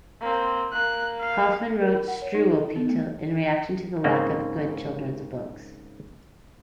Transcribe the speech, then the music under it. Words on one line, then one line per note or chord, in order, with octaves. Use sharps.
Hoffmann wrote "Struwwelpeter" in reaction to the lack of good children's books.
A#3 C4
A#3 F#6
F5
A#4
B5
F#5
C#5
D#4
A4
B3
A3
G#2 C#3 A#3 C4